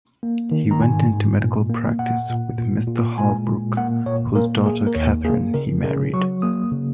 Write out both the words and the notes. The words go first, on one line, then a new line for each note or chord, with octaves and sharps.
He went into medical practice with a Mr. Holbrook, whose daughter Catherine he married.
A#3
D#3
A#5
G#2 G#5
G#2
A#2
A#3
A#2 F#5
A#2
A#2
A#2
G#3 G#5
A#2
A#3 F#5
A#2 C#5
A#3 A#4
A#3 G#4
A#4
D#2 C#5
A#3 G#4
C#3 A#4
C#3 A#4
F#3 C#6
A#3 D#6
C#3